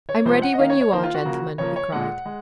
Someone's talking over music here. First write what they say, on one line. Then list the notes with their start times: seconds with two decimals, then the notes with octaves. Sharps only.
"I'm ready when you are, gentlemen," he cried.
0.09 C#5
0.25 C3 F3 G#3 C5
0.42 F#5
0.54 D#5
0.59 D#3 A#3 F5
0.70 C#5
0.81 C#5
0.92 D#3 A#3 C5
1.04 F4
1.14 F#4
1.25 C#3 F3 A#3
1.58 C#3 F3 A#3 C#5
1.76 C#5
1.92 A#2 G#3 F#5
2.25 G#3